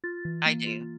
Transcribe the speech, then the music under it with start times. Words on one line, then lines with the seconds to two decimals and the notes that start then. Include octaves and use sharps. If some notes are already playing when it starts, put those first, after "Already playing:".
I do.
0.04 F4 A6
0.25 E3
0.46 A#3
0.67 F4